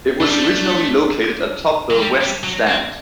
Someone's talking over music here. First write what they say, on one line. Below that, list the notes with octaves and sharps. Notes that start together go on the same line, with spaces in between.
It was originally located atop the West Stand.
A3 D4
G3
A3
F#3
G3
G3
F#3
C4